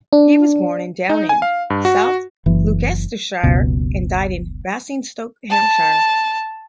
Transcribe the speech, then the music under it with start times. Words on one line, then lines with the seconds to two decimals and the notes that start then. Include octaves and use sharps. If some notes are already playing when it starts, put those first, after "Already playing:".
He was born in Downend, South Gloucestershire and died in Basingstoke, Hampshire.
0.13 D4
1.09 D#4
1.29 G#5
1.42 F5
1.70 G2
1.85 F#4
2.46 F#1 E3
3.43 F#1 C#2 B2
5.50 A5